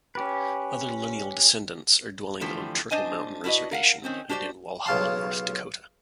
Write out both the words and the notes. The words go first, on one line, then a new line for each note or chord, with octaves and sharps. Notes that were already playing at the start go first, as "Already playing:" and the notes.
Other lineal descendants are dwelling on Turtle Mountain Reservation and in Walhalla, North Dakota.
C#4 G4 B4
D3 E3 F3 A3 G4
D4 C5 D#5 G#5
D4 E4 F#4 B4 D#5
A#4 F5 F#5
D#3 C4 C#4
D4 F#4 G4 C5 D5
B1 C#3 F4 A5 C6